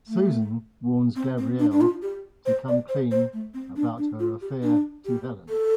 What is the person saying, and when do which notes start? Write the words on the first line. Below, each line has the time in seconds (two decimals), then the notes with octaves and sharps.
Susan warns Gabrielle to come clean about her affair to Helen.
0.08 A3
1.16 C4
1.38 C4
1.59 D4
1.71 D4
1.81 F4
2.02 G4
2.46 C5
2.68 D5
2.89 C5
3.11 C5
3.33 A3
3.54 C4
3.76 D4
3.98 D4
4.19 F4
4.42 G4
4.63 D4
5.06 G4
5.49 A4